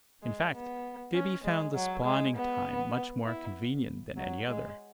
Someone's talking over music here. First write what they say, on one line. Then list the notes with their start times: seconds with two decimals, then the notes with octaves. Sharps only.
In fact, Gibbey found the spawning time much more convenient than any other.
0.23 G#3
0.54 B3
1.14 C#4
1.44 G#3
1.74 F#3
2.04 G#3
2.36 B3
3.25 E4
4.18 F#3
4.47 G#3